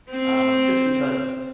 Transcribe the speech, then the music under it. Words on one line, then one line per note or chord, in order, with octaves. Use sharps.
um, just because
C4